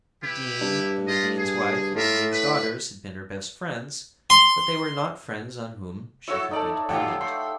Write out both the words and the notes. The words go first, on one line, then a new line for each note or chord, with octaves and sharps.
The dean and the dean's wife and the dean's daughters had been her best friends, but they were not friends on whom she could be dependent.
E4 G4 B4
G2
F4 G4 D#5
G#4
A2 F4 A#4 E5
B4
C6
E4 F#4 A4 C#5 E5
A2 D#4 A4 D5
F2 D#3 F4 G4 F#5
A3 C6